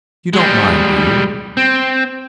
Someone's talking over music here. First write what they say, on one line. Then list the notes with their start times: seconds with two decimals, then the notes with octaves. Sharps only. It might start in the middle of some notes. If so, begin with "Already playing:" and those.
You don't mind, do you?
0.33 G3 G#3
1.57 C4